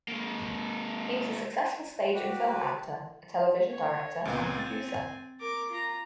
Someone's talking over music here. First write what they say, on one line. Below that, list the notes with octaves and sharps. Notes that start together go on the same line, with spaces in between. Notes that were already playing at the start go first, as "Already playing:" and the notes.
He was a successful stage and film actor, a television director and producer.
G#3 A#3
F#4 G4 B4
C#5
C#2 A#2 B3 C4 G#5
A6
A#4 D6
F4 A#5